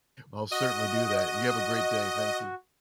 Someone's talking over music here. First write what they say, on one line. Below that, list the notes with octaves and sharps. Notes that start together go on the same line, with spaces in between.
I'll certainly do that, and you have a great day, thank you.
F#4 D#5